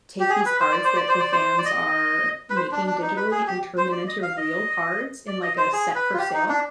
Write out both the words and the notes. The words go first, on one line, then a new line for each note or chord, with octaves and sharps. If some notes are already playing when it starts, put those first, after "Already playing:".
take these cards that the fans are making digitally and turn them into real cards in, like, a set for sale?
G4
G#4
B4
C5
D5
C5
D5
C5
D5
C5
D5
D#5
B4
C5
D4
D4
D#4
B4
G#4
G4
C5
D5
D#5
F5
D#5
D5
D#5
C5
G#4
B4
F4
G4
D#4
D4